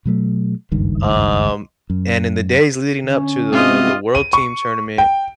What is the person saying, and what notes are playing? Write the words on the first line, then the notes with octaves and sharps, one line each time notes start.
Um, and in the days leading up to the the world team tournament,
B2 F#3 A3
F#1 C#2 G2 D#3
F#2
D3 C#4
C3 G#3 B3 F4 F#4 D#5
D#7
C#6
G5